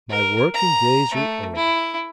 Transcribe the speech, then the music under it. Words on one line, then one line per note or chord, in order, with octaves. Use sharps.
My working days are over.
A#4
A#5
A3
E4